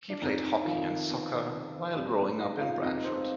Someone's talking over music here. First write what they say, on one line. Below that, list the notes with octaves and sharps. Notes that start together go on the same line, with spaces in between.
He played hockey and soccer while growing up in Brantford.
D4
F2 D#4
D#3 F3 F4
B3
C3
F2 G3 G4
B3 B4
G#3 D#4 D#5
F4 F5
F2 D#4 D#5
C4 C5